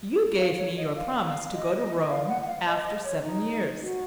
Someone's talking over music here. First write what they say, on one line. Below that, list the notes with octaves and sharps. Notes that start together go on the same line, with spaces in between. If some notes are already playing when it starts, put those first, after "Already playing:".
"You gave me your promise to go to Rome after seven years."
F5
C#5
D#5
F5
F5
D#5
D#5
F5
F#5
F#5
F5
D#5
D#5
C#5
D#4
F#4